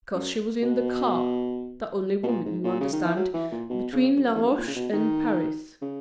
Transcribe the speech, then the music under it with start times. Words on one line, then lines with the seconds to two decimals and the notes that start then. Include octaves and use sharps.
"Because she was in the car--the only woman, you understand--between Laroche and Paris."
0.15 F#2
0.63 B2
2.23 B2
2.28 A#2
2.46 G#2
2.64 A#2
2.81 C#3
2.93 D#3
3.05 E3
3.16 F#3
3.34 E3
3.52 A#2
3.70 B2
3.93 C#3
4.17 F#2
4.35 E2
4.43 F#2
4.50 G#2
4.58 A#2
4.67 C#3
4.76 B2
4.93 D#3
5.82 C#3